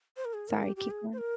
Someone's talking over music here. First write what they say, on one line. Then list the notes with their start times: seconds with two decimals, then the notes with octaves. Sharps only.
sorry, keep going.
0.17 C5
0.25 A#4
0.34 G#4
0.48 A#4
0.63 G4
0.76 G4
0.91 G#4
1.13 C5
1.18 A#4